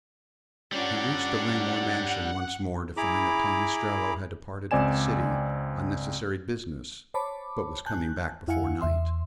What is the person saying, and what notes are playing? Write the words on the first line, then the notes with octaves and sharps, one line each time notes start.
He reached the Langmore mansion once more to find that Tom Ostrello had departed for the city on necessary business but was coming back before night.
G3 C#4 D4 F4 A#4 C#5 D5 F#5
E4 G#4 A#5 B5 D6
C#2 C4 D5 G#5 E7
C5 C#5 A5 B5 D6
G#5 A5 F#6 G6
F2 E4 F5 F#5 G#5 C#7
E2 E5 C6